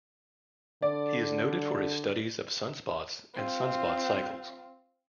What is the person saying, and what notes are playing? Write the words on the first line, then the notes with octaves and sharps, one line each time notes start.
He is noted for his studies of sunspots and sunspot cycles.
D3 D5
C4 F4